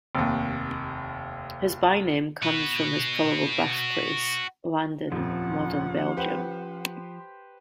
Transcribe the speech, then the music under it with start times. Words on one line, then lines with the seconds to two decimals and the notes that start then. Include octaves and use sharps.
His byname comes from his probable birthplace: Landen, modern Belgium.
0.15 F1 D#2
2.42 F#4 B4
5.12 D#1 F2 F3 C#4 F#5
6.17 G4 B4 C5